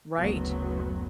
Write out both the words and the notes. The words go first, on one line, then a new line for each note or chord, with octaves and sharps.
Right. R
F#1 D2 F#3 B3